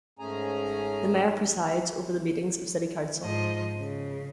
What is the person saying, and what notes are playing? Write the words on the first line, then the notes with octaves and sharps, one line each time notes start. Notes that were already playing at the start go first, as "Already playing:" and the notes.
The Mayor presides over the meetings of City Council.
G#2 A3 C#4 G#4 G#5 A#5
G#2 F3 D#5
C#3